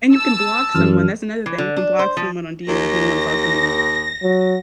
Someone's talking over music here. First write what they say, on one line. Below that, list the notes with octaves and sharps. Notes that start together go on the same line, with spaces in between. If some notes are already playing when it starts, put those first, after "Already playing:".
And you can block someone, that's another thing, you can block someone on DMs if you don't wanna talk to them anymore,
A5 E6
F#2 E3 F6
E3
D3
D4
C5
F3
D#2 A#6
F#3